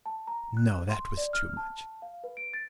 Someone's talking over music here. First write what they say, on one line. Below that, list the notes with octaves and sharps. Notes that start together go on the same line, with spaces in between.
No, that was too much!
A5
A#5
F#6
C6
D5
F6
A5
F5
B4
D7
A6